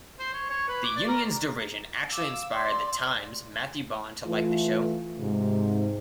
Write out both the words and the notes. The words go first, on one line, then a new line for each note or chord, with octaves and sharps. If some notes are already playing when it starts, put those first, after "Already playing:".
The unions' derision actually inspired "The Times"'s Matthew Bond to like the show.
C5
C#5
C#5
B4
D6
D5
A#4
F5 D6 E6
D5 C6
E3 A3 F4
G#2 C3